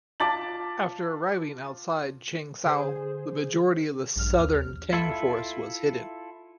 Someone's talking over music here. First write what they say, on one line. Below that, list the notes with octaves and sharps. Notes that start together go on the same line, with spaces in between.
After arriving outside Changzhou the majority of the Southern Tang force was hidden.
F4 A5 D6 A6 B6 F#7
D3 G#4 C5
A#1 G2 F6
D#2
E4 F4 A4 E5